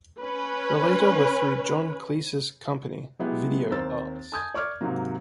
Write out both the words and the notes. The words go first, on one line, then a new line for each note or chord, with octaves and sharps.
The latter were through John Cleese's company Video Arts.
C#4 B4
F#3 G#3 B3 E4 G4
D#2 C4 A#4 C5 E6 A6
G#5 A5 D#6 G6 G#6
D5 C#6 D6 F6 G#6
G#2 C3 F#3 A#3